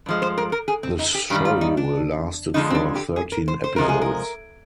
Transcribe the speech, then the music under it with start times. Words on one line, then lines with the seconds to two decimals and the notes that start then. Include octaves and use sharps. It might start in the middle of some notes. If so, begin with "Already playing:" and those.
The show lasted for thirteen episodes.
0.06 G2 F3 G#3
0.22 C5
0.38 A#4
0.52 A#4
0.68 G#4
0.83 C4
0.99 D#4
1.15 G4
1.30 G2 D#3 G3 G4
1.45 F4
1.61 D#4
1.77 D4
2.54 F2 D3 F3 G#3 D#4
2.70 C4
2.75 D4
2.95 G4
3.16 G#4
3.32 A#4
3.48 C5
3.64 C5
3.76 C3 F3 G#3 A#4
3.89 G#4
4.01 A#4